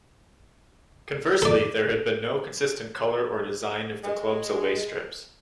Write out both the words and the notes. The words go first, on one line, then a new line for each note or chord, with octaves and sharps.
Conversely, there has been no consistent colour or design of the club's away strips.
A4 D5
G#3